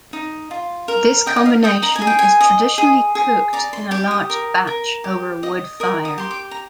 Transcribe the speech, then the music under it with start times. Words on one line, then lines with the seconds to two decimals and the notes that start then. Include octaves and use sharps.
This combination is traditionally cooked in a large batch over a wood fire.
0.13 D#4
0.51 F4
0.88 A#4
1.26 D#5 G5
1.36 D#5
1.46 F5
1.64 D#5 G5
1.83 A#5
1.96 G#5
2.02 G#4
2.07 G5
2.19 G#5
2.41 D#5
2.78 G#4
3.15 G#4
3.53 D5 A#5
3.73 C6
3.91 G4 D6
4.11 D#6
4.30 A#4
4.67 A#4
5.04 G4
5.43 D#5
5.80 A#4 D#6
6.05 D#6
6.18 G4 C6
6.31 D6
6.51 A#5